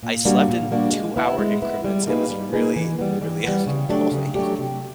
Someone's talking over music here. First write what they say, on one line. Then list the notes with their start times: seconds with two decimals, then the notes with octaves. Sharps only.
I slept in two-hour increments. It was really, really annoying.
0.03 A#2
0.25 G3 A#3 D4 F#4
0.48 A#2
0.71 G3 A#3 D4 F#4
0.93 G#3
1.16 B3 E4
1.39 G#3
1.62 B3 E4
1.84 G3
2.07 A#3 D#4 G#4 B4
2.30 G3
2.53 A#3 D#4 G#4 B4
2.76 E3
2.99 G3 B3
3.22 E3
3.44 G3 B3
3.67 C#3
3.89 F#3 A3 D4 G4
4.12 C#3
4.35 F#3 A3 D4 G4
4.59 C3